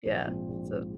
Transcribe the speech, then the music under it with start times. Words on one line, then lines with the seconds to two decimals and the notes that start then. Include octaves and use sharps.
Yeah, so
0.06 A#1
0.27 G#2 F3 C4
0.48 A#1
0.68 G#2 F3 C4